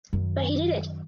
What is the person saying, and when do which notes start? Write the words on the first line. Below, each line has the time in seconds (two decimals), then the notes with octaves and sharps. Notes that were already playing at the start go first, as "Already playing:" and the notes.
But he did it!
0.13 F#2 D#3